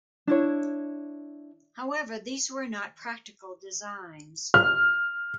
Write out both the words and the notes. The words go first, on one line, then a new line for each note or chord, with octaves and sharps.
However, these were not practical designs.
D4 E4 C#5
F6